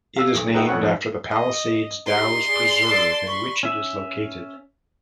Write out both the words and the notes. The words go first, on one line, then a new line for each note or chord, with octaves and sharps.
It is named after the Palisades-Dows Preserve in which it is located.
F5 E6
B1 D6
G#3 B3 D#4 F#4 E5 G5
F2 A3 C#4 F#5 C#6
D#2 G#2 F3
D#5
D#4 G4 C6
G#4 D5
D5 A5
B5 C#6
C#4 E5